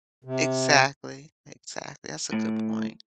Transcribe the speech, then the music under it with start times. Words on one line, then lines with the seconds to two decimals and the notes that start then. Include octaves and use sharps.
Exactly. Exactly, that's a good point.
0.24 C3
2.33 A2